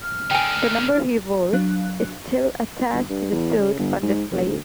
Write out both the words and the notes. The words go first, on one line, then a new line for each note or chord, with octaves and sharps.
The number he wore is still attached to the suit on display.
F6
D3 D#4 G5 G#5
F#3 D4 F5 F#6
G1
G2
E2
C#3
G1
G#2
F1
D2